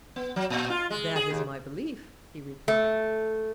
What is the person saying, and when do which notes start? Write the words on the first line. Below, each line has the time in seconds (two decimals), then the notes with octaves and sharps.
That is my belief, he replied.
0.16 B3
0.36 F#3
0.50 A#2
0.70 F4
0.90 G#3
1.16 G#4
1.30 D#2
2.68 A3